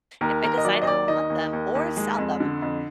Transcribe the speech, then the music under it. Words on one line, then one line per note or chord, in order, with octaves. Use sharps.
if I decide I don't want them or sell them,
D#2 A#4
D#2 A#4
D#5
F#3 D5
D#5
D#2 D5
D#3 D#5
D#2
D#2
D#2
G#3
F2
D3
F2